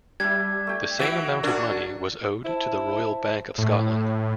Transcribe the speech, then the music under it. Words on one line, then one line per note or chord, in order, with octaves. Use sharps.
The same amount of money was owed to the Royal Bank of Scotland.
G3 D4 E5 G#6
A3 G5
E3 F#4 E5 D7
D4 F#4 A4 A#4 G#5
E4 C5 A5
A2